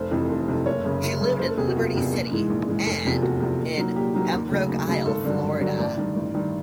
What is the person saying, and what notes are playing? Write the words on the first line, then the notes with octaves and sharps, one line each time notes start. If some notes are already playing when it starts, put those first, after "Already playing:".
She lived in Liberty City and in Pembroke Isle, Florida.
Already playing: F1 C5
F2 C3 E3
F1
F2 C3 E3
F#1 C#5
F#2 C#3
F#1
F#2 C#3
F#1 C5
A4
E2 C3 G#4
F#4
F#1 F4
E2 C3
A#1
G#2 E3 G#3
A#1
G#2 E3 G#3
F1
E2 C3 F3
F1 F#4
E2 C3 F3
A#2
F#3 A#3 D#4
A#2 G4
F#3 A#3 D#4
D#2
C#3 F#3 A3
D#2
C#3 F#3 A3
G#1 A4
G2 D3 F#3
G#1
G2 D3 F#3
A1 D5
G2 D#3
A1
G2 D#3